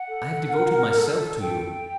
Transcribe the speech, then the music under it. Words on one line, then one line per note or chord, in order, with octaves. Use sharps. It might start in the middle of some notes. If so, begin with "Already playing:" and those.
I have devoted myself to you.
Already playing: F#5
A4
A4
A#4
A4
A4 G5